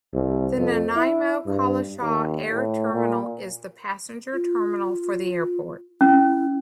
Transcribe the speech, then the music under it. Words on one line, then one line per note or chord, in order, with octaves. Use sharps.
The Nanaimo-Collishaw Air Terminal is the passenger terminal for the airport.
C2
F2
E4
G2
D#2
A2
A#2
F4
C#4 E4